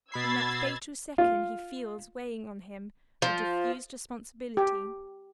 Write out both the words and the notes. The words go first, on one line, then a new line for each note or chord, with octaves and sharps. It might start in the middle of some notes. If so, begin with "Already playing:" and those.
In that fatal second he feels weighing on him a diffused responsibility.
B2 B5 E6 G#6 A6 C7
F4
F3
G4